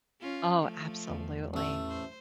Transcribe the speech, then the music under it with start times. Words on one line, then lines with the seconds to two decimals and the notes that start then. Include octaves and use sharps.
Oh, absolutely,
0.20 C#4 F4
0.61 F3 A3
1.09 E2
1.54 A1 A3
1.89 C5